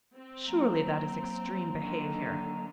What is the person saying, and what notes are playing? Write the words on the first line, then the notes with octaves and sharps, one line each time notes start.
Surely that is extreme behaviour.'
C4
F#3 A#3 A#5
D3 D#3